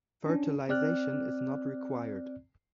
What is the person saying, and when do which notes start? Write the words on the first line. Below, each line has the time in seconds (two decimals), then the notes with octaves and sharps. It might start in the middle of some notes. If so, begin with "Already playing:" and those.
Fertilization is not required.
0.26 C#4 D4
0.69 C4 D5 F6 F#6